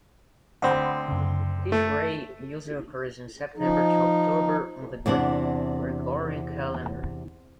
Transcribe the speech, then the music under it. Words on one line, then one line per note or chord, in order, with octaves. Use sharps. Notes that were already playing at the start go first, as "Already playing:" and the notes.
Tishrei usually occurs in September-October on the Gregorian calendar.
D2 C4 F#5 B5
F#2 C#3
A3
F3 D#4
E2 C3 D4 F#5